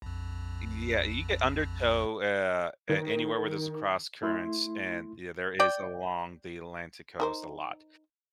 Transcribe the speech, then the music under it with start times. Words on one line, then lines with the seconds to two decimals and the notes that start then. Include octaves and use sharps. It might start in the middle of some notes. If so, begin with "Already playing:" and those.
Yeah, you get undertow, uh, a anywhere where there's a cross current, and there is along the Atlantic Coast a lot.
0.02 A#1 F2
2.89 D#3
4.22 A3 E4 C6
5.60 D5 G5
7.20 D#4 A#4 C5